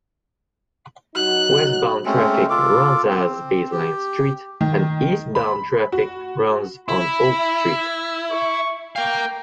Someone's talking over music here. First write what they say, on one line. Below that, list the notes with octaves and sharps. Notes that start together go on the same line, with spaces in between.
Westbound traffic runs as Baseline Street and eastbound traffic runs on Oak Street.
F#3 D#4 F#4 F#6
G#3 A3 C4 C#4
F4 A4 D6
C4
G4
D#3
B5
F#4
E4 B5
C#6
A#4 F5 G5